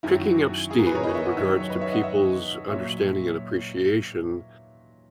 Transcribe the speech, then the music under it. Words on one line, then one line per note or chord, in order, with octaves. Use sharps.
picking up steam in regards to people's understanding and appreciation
F#2 D#3 F#3 E4
F#4
E4 G#4
F#4 A#4
G#4 B4
A#4 C#5
B4 D#5
C#5 E5
D#5 F#5
F#2 D#3 F#3 C#5 E5
C#5
B4 D#5
C#5 E5
D#5 F#5
C#5 E5
A#2 F#3 C#5 E5